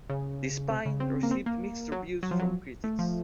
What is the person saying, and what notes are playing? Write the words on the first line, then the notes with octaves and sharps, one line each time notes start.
"The Spine" received mixed reviews from critics.
C#3
C3
C#3
C4
A#3
C4
A#3
F#3
F#3
F3
F#3
A3
F3